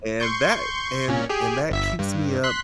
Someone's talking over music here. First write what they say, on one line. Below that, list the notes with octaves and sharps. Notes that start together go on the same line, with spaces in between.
and that and and that keeps me up.
C6 C#6 G6
A#2 C#4
G4 G#4
G1 E5 B6
G2
C6 F#6 B6